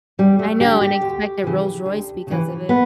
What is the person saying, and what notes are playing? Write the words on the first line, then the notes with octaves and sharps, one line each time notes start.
I know, and I expect a Rolls Royce because of it.
E2 G3
A3
D3 G4
G4
D2
C#3 E3
D2
C#3 E3
B3